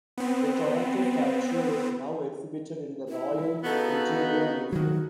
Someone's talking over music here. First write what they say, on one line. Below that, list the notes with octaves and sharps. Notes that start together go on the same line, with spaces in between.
The Toronto statue is now exhibited in the Royal Ontario Museum.
B3 C4
E4
C#3 B3 D#4 F#4 A4
D#3 F3 F#3 F#4